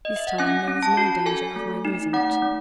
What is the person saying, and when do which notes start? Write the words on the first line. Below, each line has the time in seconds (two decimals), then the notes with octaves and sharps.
This time there was no danger of my losing it.
0.05 D#5
0.16 E5
0.27 F#5
0.38 C#4 G#5
0.68 C#4
0.83 A5
0.97 F#4
1.26 A4 G#5
1.56 A3
1.85 D#4
2.13 A3 F#5
2.42 A3